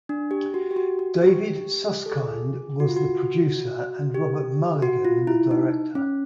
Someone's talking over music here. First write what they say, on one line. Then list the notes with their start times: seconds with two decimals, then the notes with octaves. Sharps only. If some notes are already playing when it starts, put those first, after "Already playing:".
David Susskind was the producer and Robert Mulligan the director.
0.09 D4
0.31 G4
0.54 F#4
0.71 G4
0.76 F#4
0.99 F#4
1.21 G4
2.06 A4
2.12 G#4
2.80 F#4
2.89 F4
2.96 F#4
4.15 G4
4.82 F#4
5.05 F4
5.27 E4
5.51 D#4
5.95 C#4